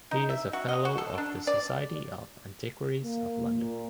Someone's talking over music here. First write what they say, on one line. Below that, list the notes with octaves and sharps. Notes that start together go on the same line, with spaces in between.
He is a fellow of the Society of Antiquaries of London.
D#4
E5
F#4
D#5
F#4
A4
D4
D5
A#3
A#2